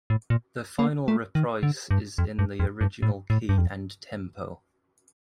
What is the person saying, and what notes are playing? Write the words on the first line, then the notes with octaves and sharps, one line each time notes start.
The final reprise is in the original key and tempo.
A2
A#2
A#3
A3
D#3
D3
G2
F2
G2
F2
G2
A2
A2
G2
F2